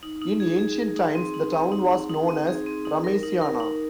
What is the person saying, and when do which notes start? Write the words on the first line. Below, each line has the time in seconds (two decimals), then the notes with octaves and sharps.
In ancient times, the town was known as Remesiana.
0.03 D#4
0.21 D#4
0.40 G#4
0.59 G#4
0.78 G#4
0.96 D#4
1.15 C4
1.34 D#4
1.53 C4
1.72 D#4
1.91 D#4
2.09 D#4
2.29 C4
2.47 G#4
2.67 C4
2.85 D#4
3.04 A#4
3.23 D#4
3.41 A#4
3.60 D#4